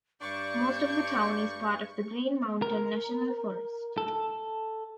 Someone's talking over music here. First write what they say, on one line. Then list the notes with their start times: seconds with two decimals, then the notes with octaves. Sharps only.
Most of the town is part of the Green Mountain National Forest.
0.21 G2 D4 D5 C#6 G6
2.62 A#4
3.98 A4